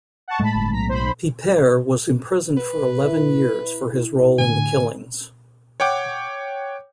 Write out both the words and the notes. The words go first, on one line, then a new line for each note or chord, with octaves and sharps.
Peiper was imprisoned for eleven years for his role in the killings.
F#5 A5 C#6
A2 G#3 A3 A5 B5
G1
B1 A#5 B6
C5 B5
B4
E4
A2 D3 G#5
C#5 F#5 G5 D6